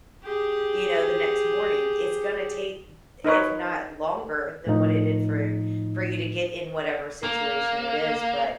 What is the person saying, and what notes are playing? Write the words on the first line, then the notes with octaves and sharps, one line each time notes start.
you know, the next morning, it's gonna take, if not longer than what it did for for you to get in whatever situation it is, but,
G4 G#4
D#4 A#4 B4 C#5
A2 F3 D#4
A#3